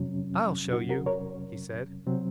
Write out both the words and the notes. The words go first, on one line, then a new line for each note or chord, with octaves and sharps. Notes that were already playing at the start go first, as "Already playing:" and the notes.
"I'll show you," he said.
Already playing: F2 C3 F#3 C#4
D#4 F#4
F#4 A#4
A#4 C#5
C3 F#3 C4